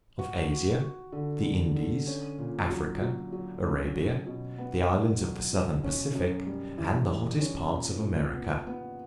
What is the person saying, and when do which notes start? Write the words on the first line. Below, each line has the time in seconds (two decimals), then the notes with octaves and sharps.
Of Asia, the Indies, Africa, Arabia, the Islands of the Southern Pacific, and the hottest parts of America.
0.19 F#4
0.50 F#4
0.81 F#4
1.12 D3
1.44 G3
1.75 D3
2.07 C#4
2.39 A#2
2.70 F#3
3.01 F#3
3.32 F#3
3.63 C#4
3.95 F#3
4.26 B2
4.58 B3
4.90 B2
5.20 F#3
5.53 B2
5.83 C#4
6.15 F#2
6.46 G3
6.78 E3
7.09 G3
7.40 C#4
7.73 A#2
8.03 A#2
8.35 B3
8.67 B3